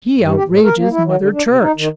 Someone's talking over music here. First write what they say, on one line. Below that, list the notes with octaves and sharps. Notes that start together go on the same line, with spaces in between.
"He outrages Mother Church."
G2
G4
A2
A#4
A#3
E4
F#3
D3
D4
C3
D#4
D#3